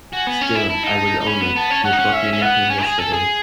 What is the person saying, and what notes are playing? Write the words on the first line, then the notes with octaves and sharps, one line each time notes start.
Still, I will own it, you caught me napping yesterday.
F#4 G#5
B3
C#4
E4
E4 A5
D#4
D#4
C#4 B5
B3
B3 A5
C#4
C#4 F#5
D#4
C#4
E5
C#4
B3 F#5
C#4 G#5
G#4
A4 G#5
G#4